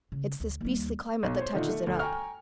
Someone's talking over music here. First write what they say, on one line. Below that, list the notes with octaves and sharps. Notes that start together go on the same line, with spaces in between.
It's this beastly climate that touches it up.
C#3
D2
D#2 G3
B1
C5 C#5
A#2 D3 D#3 A3 D4 D#4
A3
D2
G5 G#5 A#5 C#6 F6